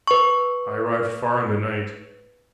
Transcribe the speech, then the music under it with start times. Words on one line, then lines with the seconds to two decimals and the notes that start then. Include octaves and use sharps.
I arrived far in the night.
0.07 B4 C#6